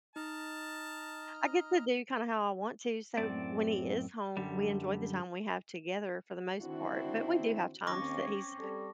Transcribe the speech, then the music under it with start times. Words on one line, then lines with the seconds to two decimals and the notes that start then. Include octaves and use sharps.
I get to do kinda how I want to, so when he is home, we enjoy the time we have together for the most part, but we do have times that he's
0.16 D#4 D#5 A5 A#5 F6
3.17 F#2 A2 C4 D5
4.37 F#2 D3 G3
6.60 D3 D#3 C4 D4 E4 F#4
7.87 D#2 C4 C#4 C#6 D6 A#6
8.59 G3 A4